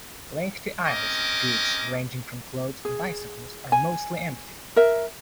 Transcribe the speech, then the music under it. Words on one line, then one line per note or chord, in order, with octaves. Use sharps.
Lengthy aisles of goods ranging from clothes to bicycles are mostly empty.
C4 C#4 A#4 D#5 D6
G#4
G#5
A#4 E5